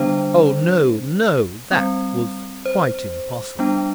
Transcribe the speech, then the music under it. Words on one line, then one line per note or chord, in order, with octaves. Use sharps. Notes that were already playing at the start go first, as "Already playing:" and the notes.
Oh, no, no; that was quite impossible.
Already playing: D3 G3 B3 D4 C5
G3 C4
C5
G3 B3 D4